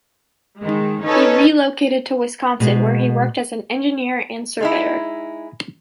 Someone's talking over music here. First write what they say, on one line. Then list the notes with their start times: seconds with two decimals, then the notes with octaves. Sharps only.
He relocated to Wisconsin, where he worked as an engineer and surveyor.
0.60 D#3 G#3
1.06 C#4 D#4 A4 B4 C#5
2.60 B2 G#3
4.61 G#3 D#4 E4